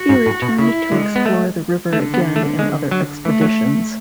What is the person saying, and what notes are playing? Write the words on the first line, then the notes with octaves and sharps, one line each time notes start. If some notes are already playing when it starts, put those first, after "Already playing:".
He returned to explore the river again in other expeditions.
Already playing: F#4
G#2
A2
B2
C#3 E4
D3 G#3
B3
A3
D3 A3
B3
A3
G#3
F#3
E3 A3
F#3